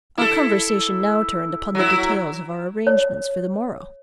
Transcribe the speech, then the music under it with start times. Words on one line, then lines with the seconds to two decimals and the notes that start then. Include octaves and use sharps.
Our conversation now turned upon the details of our arrangements for the morrow.
0.18 E4 A4
1.75 F#3 E4
2.87 C#5